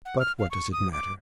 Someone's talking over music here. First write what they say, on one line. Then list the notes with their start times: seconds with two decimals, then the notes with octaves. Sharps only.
But what does it matter?
0.05 F#5
0.19 F6
0.39 F5
0.51 C#6
0.72 D#6
0.93 D6